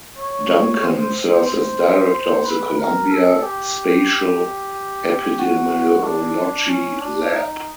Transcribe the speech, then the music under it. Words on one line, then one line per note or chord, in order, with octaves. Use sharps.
Duncan serves as Director of the Columbia Spatial Epidemiology Lab.
C#5
C5
C5
C5
B4
A#4
A4
G4
F#4
D4
C#4
D4
D#4